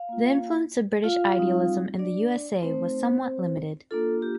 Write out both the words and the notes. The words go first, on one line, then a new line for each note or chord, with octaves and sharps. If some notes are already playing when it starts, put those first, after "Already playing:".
The influence of British idealism in the USA was somewhat limited.
Already playing: F5
A#3 F4
F4 F5
G3 C4 D#4
D4 D5
A3 C4 D#4 C5
A#3 D4 F4 A4
G4